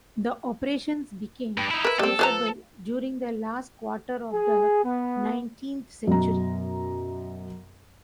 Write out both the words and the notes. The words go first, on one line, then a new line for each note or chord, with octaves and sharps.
The operations became sizeable during the last quarter of the nineteenth century.
G2
D#4 E4
E4 A#4 B4
G3 C4 A4
F3 B4 A#5
G#4
B3
F#2 B2 A#5